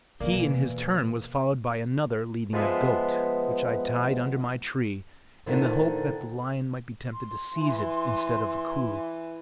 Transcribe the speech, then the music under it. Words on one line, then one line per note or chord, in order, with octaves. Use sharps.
He in his turn was followed by another leading a goat, which I tied under my tree in the hope that the lion might be tempted to seize it instead of a coolie.
B2 E3 A#3 D5
F3 G#3 B3 F4 B4 E5
A#2 D3 D#3 F3 A3 E4
C6
E3